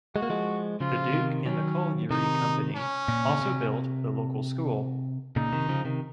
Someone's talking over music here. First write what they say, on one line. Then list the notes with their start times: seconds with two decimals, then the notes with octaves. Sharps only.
The duke and the colliery company also built the local school.
0.15 G#3 F#4
0.22 A#3
0.30 F3 G#3
0.80 C#3 F3 F4
1.13 C3 D#3
1.45 D#3 F#3 C#4
2.11 C3 D#3 D#4
2.75 C#4
3.08 A#2
3.29 C#3
3.41 C3
5.36 A#2 C#3 D#4
5.52 C3 D#3
5.69 C#3 F3
5.85 C3 D#3